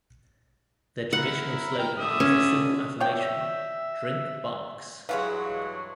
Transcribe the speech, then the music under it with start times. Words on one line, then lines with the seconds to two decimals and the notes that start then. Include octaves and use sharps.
The traditional slogan was the simple affirmation Drink Barq's.
1.13 E4 A#4 F#5
1.79 G5 F6
1.98 D3 E5 D#6
2.20 C#4
3.00 C#5 D5 E5 G5
5.09 G2 E3 F#3 G#3 C#5 F5 F#5